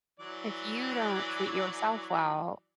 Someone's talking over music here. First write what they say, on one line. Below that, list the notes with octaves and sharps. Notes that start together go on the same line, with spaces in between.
if you don't treat yourself well,
E3 F#3 D5